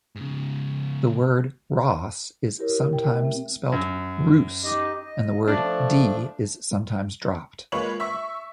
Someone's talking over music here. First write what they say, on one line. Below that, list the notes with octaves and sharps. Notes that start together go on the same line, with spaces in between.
The word "Ros" is sometimes spelt "Roos", and the word "de" is sometimes dropped.
G#2 C#3
E4 G4 A#4 C#5
B2
A#4 G5
A3
C4 E5
F#2
D#4 G4 D#5
D#5
F3 A3 D4
G#3 A#3 F4 B4 C#5 F#7
E5 C#6 B6